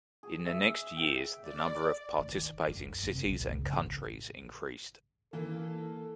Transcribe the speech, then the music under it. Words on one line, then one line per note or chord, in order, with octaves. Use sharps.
In the next years the number of participating cities and countries increased.
G#4
E5
G5
D5
D#3
F#2
D#2 C3
C#2 A#2
F#2 C#3
A1 F#3
E3 A#3 E4 A4